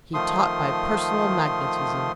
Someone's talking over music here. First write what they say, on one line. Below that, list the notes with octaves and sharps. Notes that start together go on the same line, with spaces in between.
He taught by personal magnetism.
D#3 F3 A3 C6 D#6